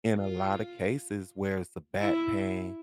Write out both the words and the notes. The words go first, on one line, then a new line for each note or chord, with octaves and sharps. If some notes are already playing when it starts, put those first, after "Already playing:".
in a lot of cases where it's the back pain
F4
E4